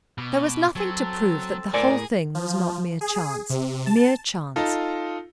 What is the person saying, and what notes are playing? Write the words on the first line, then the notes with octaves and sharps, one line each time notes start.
There was nothing to prove that the whole thing was not mere chance, mere chance.
B2 D6
F#3 C4 A4 A5
A2 A#4 C5 D5 G#5
G#4
F3
G#4
C3
A5
D#4 F4 A4